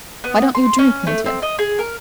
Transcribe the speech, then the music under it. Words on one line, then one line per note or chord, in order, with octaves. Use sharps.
Why don't you drink, Mitya?
B3
C6
C#4
A3
C4
D#5
G#4
A#4